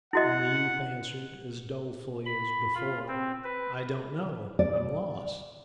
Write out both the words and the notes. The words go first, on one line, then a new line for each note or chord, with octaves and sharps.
And the youth answered, as dolefully as before, "I don't know; I'm lost."
E4 F#4 D#5 F#5
B5
F4
C4
B4
D5